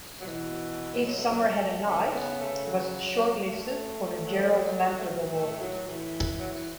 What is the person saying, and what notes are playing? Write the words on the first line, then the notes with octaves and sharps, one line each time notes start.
"If Summer Had a Knife" was shortlisted for the Gerald Lampert Award.
F#3
B2 E3
F#3
A3
F#3
A3
C#3 A3
B3
A3
F#3
A3
F#3
A3
A2 F#3
A3
F#3
E3
F#3
E3